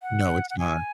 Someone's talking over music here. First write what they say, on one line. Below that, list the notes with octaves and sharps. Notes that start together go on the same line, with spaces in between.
No, it's not.
F#5
F#5
G#5